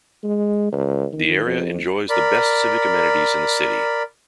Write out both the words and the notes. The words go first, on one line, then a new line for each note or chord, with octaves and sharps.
The area enjoys the best civic amenities in the city.
G#3
C#2
D#3
F2
A#4 D5 B5